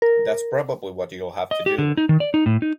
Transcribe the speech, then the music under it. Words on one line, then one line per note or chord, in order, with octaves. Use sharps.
That's probably what you'll have to do.
A#4
D#5
G4
D3
D#4
D#3
D5
D#4
A2
D#4